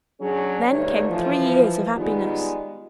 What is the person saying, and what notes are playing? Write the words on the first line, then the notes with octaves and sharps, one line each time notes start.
Then came three years of happiness.
F#3 C#4 D4 G#4
D2 G2 A3 D#4 C#5
E3 F3
D#3 G3 G#3 B3 F4